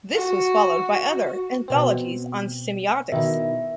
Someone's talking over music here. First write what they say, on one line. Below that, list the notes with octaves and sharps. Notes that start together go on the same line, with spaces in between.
This was followed by other anthologies on semiotics.
F#4
B2 C4
B2 D#3 E4 E5